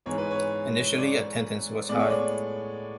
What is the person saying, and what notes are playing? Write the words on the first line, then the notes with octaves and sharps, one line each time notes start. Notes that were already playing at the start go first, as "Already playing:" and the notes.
Initially, attendance was high.
G#2 E3 G#3 B3 C#5
B4
C#5
D5
A2 G#3 B3 D5
C#5
D5